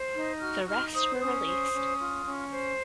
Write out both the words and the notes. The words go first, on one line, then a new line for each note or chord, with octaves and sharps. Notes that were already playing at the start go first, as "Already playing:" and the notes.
The rest were released.
Already playing: C5
D#4
F#4 F6
D#4 F6
C5 D#6
C#4 D#6
C5
C#4
F4
C#4
C5